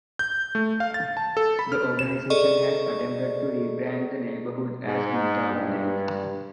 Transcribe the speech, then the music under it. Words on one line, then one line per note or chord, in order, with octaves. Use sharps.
The organization has attempted to re-brand the neighborhood as Midtown Village.
G6
A3
F5
A6
A5
A4
B5
F6
E7
G#4 A4 D5 D#5 C#6
G#2
G2